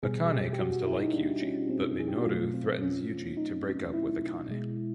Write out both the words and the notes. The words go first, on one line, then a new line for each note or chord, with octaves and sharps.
Akane comes to like Yuji but Minoru threatens Yuji to break up with Akane.
B2 G3 G#4
G#4
G4
G4
F#4
F#4
E4
D#4
D4
C#4
C4
G#4
G4
F#4
B2 F#3 A3 F4
C4
C#4
D#4
E4
B2 G#3